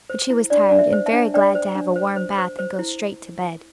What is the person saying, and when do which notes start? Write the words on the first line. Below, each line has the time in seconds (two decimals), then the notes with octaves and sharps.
But she was tired and very glad to have a warm bath and go straight to bed.
0.10 C5
0.30 E4
0.50 D4 D5
0.69 D4 D5
0.79 E5
0.93 C5
1.06 E5 A5
1.13 D4
1.34 D4 D5 G5
1.55 C5
1.75 D4
1.96 C5
2.16 C5
2.38 C5
2.59 C5
2.79 E4